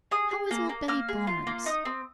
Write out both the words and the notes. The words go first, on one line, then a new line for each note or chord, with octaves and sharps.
'How is old Betty Barnes?'
G#4 D#6
G#4
A#3
A#3
A#3 F6
G#4
F4
A#3
D#4 D#6
C4